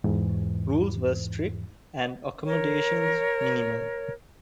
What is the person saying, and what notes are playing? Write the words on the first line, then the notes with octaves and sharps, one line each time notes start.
Rules were strict and accommodations minimal.
E2 G#2 E3
A#4 C#5